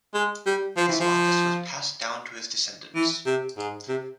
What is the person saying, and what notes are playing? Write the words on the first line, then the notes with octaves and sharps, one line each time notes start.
This office was passed down to his descendants.
G#3
G3
F3
E3
F3
E3
C3
G#2
C3